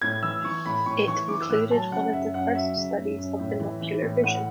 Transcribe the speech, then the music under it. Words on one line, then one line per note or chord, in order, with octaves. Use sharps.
It included one of the first studies of binocular vision.
A2 G#6
E3 E6
E3 C#6
A2 B5
A2 C#6
E3 C#6
E3 D6
E6
A2 F#6
F#3 A5
C#3 F#5
F#2 E5
F#2 F#5
F#3 E5
C#3
F#2
F#2
A2
E3
E3
A2
A2 F#5